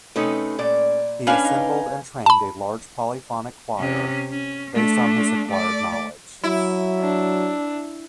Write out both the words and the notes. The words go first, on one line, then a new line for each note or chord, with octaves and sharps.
He assembled and trained a large polyphonic choir based on his acquired knowledge.
C3 A3 C#4 D#4 B4
A#2 D5
C#4 D4 B4 F5 G#5
D#4
A5 B5
C3 C#4
C#4
A3 D4
A3 D5
F#3 E4
D4